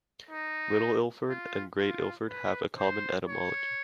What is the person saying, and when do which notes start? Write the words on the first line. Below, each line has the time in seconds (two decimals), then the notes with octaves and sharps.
Little Ilford and Great Ilford have a common etymology.
0.30 D#4
1.29 F4
1.79 F4
2.29 B4
2.78 C5
3.28 C#5